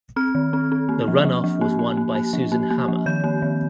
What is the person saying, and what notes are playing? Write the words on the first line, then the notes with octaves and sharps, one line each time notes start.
The runoff was won by Susan Hammer.
C4 F6
D#3
C4
C4
A#3
F3
F3
F3
A#3
A#3
A#3
A#3
F3
A#3
A#3
F3
D#3 G6
A#3
D#3